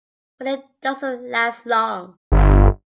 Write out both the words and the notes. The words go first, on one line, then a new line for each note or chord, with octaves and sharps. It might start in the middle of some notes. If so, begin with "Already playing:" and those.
But it doesn't last long.
G1